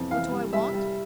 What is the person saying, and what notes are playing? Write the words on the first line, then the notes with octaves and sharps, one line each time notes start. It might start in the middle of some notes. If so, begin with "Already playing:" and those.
What do I want?
Already playing: F2 E3
E3 F5
G3
G3 E5
G3